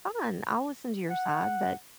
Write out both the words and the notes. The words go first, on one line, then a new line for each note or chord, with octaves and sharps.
fine, I'll listen to your side, but
F#5